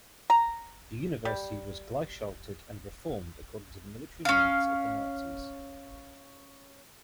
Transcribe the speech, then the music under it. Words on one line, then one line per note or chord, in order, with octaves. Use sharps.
The university was gleichschalted and reformed according to military needs of the Nazis.
A#5
G3
C#4 F5